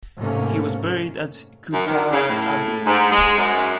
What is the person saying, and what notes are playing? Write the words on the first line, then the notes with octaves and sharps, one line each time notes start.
He was buried at Cupar Abbey.
G#2 C3 A3 A#3 C#4
F#2
D#3
C#3
A2
G#2
G#3
F#2